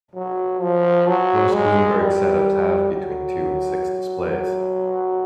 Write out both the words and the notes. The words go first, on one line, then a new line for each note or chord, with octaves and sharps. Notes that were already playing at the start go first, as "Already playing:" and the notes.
Most Bloomberg setups have between two and six displays.
F#3
F3
F#3
G#3
G3
F#3
F#3